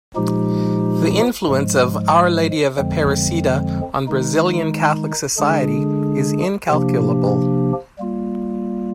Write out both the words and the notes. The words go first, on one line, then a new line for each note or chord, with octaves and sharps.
The influence of Our Lady of Aparecida on Brazilian Catholic society is incalculable.
A#2 F3 G#3 D#4 G4
G#2 F3 G#3
F2 D3 F3 G#3 C4
D#3 G#3 D#4
D3 G#3 D4 G#4
C3 F3 A#3 D4 G4
G3 A#3 F4